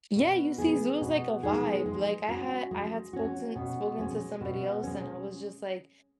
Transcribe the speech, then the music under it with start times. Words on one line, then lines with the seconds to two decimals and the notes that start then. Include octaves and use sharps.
yeah, you see Zoo is like a vibe. Like I had I had spoke to spoken to somebody else and I was just like,
0.16 B2
0.58 G#3 B3 D#4 G#4
1.01 B2
1.43 G#3 B3 D#4 G#4
1.86 G#3
2.28 C#4 F#4
2.71 G#3
3.13 C#4 F#4
3.56 B2
3.98 G#3 C#4
4.41 B2
4.83 G#3 C#4